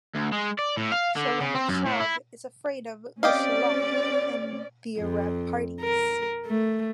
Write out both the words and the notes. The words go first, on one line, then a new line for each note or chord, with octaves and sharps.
"Shalom Achshav" is afraid of "Gush Shalom" and the Arab parties.
D2
G#3
D5
A2
F5
D3
C#3
C4
F#2
A2
E4
C4 C#4 G4 D5 D#5 F5
F2
A#4
A3